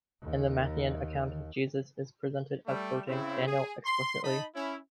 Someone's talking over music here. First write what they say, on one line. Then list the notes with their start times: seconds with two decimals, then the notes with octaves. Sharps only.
In the Matthean account, Jesus is presented as quoting Daniel explicitly.
0.22 D#2
2.67 G3 A3
3.08 C#3 C4 E4
3.47 G#4
3.85 C6
4.23 D#4 D#5 A5 B5
4.55 C#4 E4